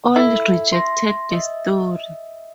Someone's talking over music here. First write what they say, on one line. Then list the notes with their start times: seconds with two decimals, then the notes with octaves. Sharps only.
All rejected the story.
0.16 E4 A4
0.72 C6 A#6
1.31 D#5 E5